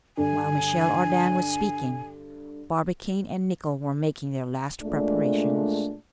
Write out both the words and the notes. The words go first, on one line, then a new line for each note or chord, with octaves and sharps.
While Michel Ardan was speaking, Barbicane and Nicholl were making their last preparations.
G2 D3 D4 G#5
A#2 G#3 A3 D4